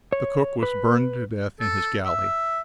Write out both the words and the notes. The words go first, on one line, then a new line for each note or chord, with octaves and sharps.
The cook was burned to death in his galley.
C#5
B4
A4
E5